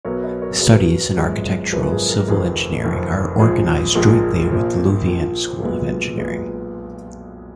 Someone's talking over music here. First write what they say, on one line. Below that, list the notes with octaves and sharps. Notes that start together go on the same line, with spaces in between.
Studies in architectural civil engineering are organized jointly with the Louvain School of Engineering.
B1 B2 F#3 B3 A#4 C#5
B4 D#5
A#4 C#5
B1 B2 F#3 B3 G#4 B4
G#1 F#2 F3 G#3 B3
G#1 F#2 F3 G#3 B3 A#4
G#4
A#4
F1 F2 D#3 G#4 B4
F1 F2 D#3
A#1 A#2 F3 G#3 G#4
A#1 A#2 F3 G#3 A#4
A#1 A#2 F3 A#3
A#1 A#2 F3 A#3
B1 A#2 G#3 B3
B1 A#2 G#3 B3